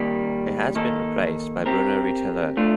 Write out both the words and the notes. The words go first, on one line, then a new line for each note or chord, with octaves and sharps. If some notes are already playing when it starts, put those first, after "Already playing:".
He has been replaced by Bruno Retailleau.
Already playing: D#3 G3 A#3
D#3 A#3 D#4 A4
C4 G4 A#4
A3 D4 F4